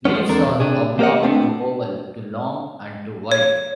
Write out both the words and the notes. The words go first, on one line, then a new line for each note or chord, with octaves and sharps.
Leaves are oblong to oval, to long and to wide.
F3 G#3 A3 B3 C#4
E2 C4 D4 A4 A#4
B2
C3 D4 G#4
A#3 G4 A#4 C5 D#5 F#5
A3 B3 C4 D4
C#5